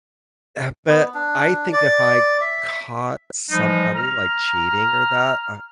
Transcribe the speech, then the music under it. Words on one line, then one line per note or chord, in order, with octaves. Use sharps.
Uh, but I think if I caught somebody, like, cheating or that uh, I'm
B3
D4
D5
E5
E3 F3 G3 G#3 D#4
A#5 F6